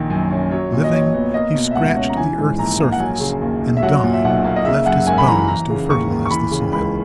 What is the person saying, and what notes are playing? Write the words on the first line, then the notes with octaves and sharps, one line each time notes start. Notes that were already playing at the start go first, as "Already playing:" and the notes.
Living, he scratched the earth's surface, and dying, left his bones to fertilize the soil.
Already playing: A#1 D#3 A#3
F#2
C#4
F#3 C#5
A#2
D#5
A#1 C#5
B3
A#3 D#5
B2
E5
C#2 F#5
C#4
A#5
E3 G#5
G#2
A#1 A#5
A#3
F#5
F#3 G#5
C#3
D#2
D#2
E5
F#3 F#5
A#2
E5
B1 F#5
A#3
D#5
C#3 E5
F#2 F#5
G#1 G#5
B5
E3 A#5
E3 A#5
C#3
D#2 C#6
D#2
C#6
E3 B5
C#3
C#2 B5